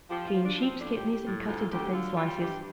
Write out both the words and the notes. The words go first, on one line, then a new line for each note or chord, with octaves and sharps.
Clean sheep's kidneys and cut into thin slices.
F3 G4
F4
F3
D4
F3
C4
A2 D4
G4
A2
G4
A2
D2 F4
F4
D2 G4
D3 F4
G3 F4
G2 G4